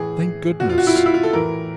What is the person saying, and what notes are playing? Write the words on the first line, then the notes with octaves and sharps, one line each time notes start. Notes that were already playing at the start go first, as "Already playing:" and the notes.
Thank goodness!
Already playing: A2 E3 G#4
A#2 F#4
F4
F#4
E4
F4
E4
F4
A4
A2 E3 A#4